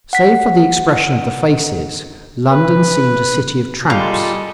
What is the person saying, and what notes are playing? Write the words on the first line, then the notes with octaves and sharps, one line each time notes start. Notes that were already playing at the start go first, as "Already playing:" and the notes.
Save for the expression of the faces, London seemed a city of tramps.
F#5 B6
B4
G3 G#3 F4 A4